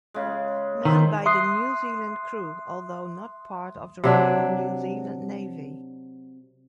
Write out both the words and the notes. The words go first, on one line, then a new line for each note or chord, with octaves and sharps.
Manned by New Zealand crew, although not part of the Royal New Zealand Navy.
C#3 G#3
D#3 C5 E5
E5 C6 D#6 F#6 C7
C3 F#3 D4